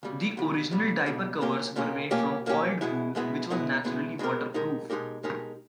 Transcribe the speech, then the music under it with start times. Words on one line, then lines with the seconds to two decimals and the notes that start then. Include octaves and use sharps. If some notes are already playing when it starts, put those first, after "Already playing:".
The original diaper covers were made from oiled wool, which was naturally waterproof.
0.03 C#2 B2 G3
0.37 C#2 B2 G3
0.71 C#2 B2 G3
1.06 C#2 B2 G3
1.41 B1 A#2 A#3 C#4 G4
1.76 B1 A#2 A#3 C#4 G4
2.11 B1 A#2 A#3 C#4 G4
2.46 B1 A#2 A#3 C#4 G4
2.81 E2 B2 G#3 B3 E4
3.15 E2 B2 G#3 B3 E4
3.50 E2 B2 G#3 B3 E4
3.84 E2 B2 G#3 B3 E4
4.19 B2 G#3 D#4 G4 A#4
4.54 B2 G#3 D#4 G4 A#4
4.90 B2 G#3 D#4 G4 A#4
5.23 B2 G#3 D#4 G4 A#4